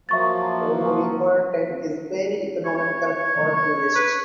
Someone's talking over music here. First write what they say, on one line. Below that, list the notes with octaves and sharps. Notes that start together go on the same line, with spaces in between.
Corriverton is very economical for tourists.
F3 F#3 A#3 E5 C#6 A6
C#5
C#5
C#5
C#5
B4